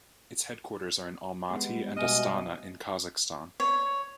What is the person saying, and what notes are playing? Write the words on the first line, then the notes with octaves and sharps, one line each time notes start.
Its headquarters are in Almaty and Astana in Kazakhstan.
G3 G#3 B3
B2 D#5 E5 G#5 F6
C#5